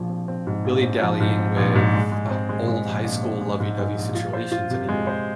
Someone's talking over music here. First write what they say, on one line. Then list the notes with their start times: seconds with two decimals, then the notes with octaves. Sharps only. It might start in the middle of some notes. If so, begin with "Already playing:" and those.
dilly-dallying with a old high school lovey-dovey situations anymore.
Already playing: A#1 F3
0.09 C4
0.28 C4
0.47 G#2
0.65 A#1
0.83 C4
1.02 F3
1.20 G#2
1.38 C4
1.57 A#1
1.75 G#2
1.94 G#3
2.12 G#3
2.30 C4
2.49 G#3
2.68 G#3
2.86 A#1
3.05 A#1
3.23 C4
3.41 G#3
3.60 G#2
3.78 G#3
3.96 A#1
4.15 F4
4.33 C5
4.52 F4
4.70 C3
4.89 G#3
5.07 C5